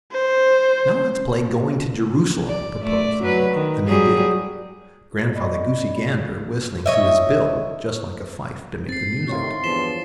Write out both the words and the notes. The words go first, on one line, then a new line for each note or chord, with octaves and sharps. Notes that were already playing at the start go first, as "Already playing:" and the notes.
"Now let's play going to Jerusalem," proposed Lulu, and they did, Grandfather Goosey-Gander whistling through his bill, just like a fife, to make the music.
C5
D5
A3 D5
F#3 B4
D#3
F#3 G3 G#4
D5 D#5 B5
C#5 D#5 E5
C4 A6 C7
A2 C3 D#3 C#5 F5 C6
E2 G2 F3 B6 E7 G7